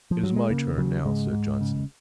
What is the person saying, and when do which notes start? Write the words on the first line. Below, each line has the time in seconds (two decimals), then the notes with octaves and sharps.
"It is my turn now," said Johnson.
0.11 F3
0.23 F#3
0.36 G#3
0.50 C#3 A#3
0.77 C#3 F#3
1.05 G#2 G#3
1.33 G#2
1.61 C#3